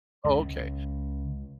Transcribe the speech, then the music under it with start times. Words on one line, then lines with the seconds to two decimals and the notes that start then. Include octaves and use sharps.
Oh, okay,
0.24 C#2